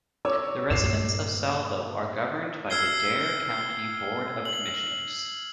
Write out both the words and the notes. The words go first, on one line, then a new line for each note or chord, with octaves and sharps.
The residents of Salvo are governed by the Dare County Board of Commissioners.
C#5 D6 E6
G2 A#2 C7 E7
E6 F6 G#6 C7 G7
F#7